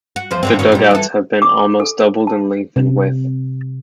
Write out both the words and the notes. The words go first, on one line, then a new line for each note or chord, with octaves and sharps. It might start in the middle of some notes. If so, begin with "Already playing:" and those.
The dugouts have been almost doubled in length and width.
F#4
E2 F3 C5
A2 D3 C4
B2 D#3 C#4
A#2 G3
E3 A4
D6
A4
A5
C3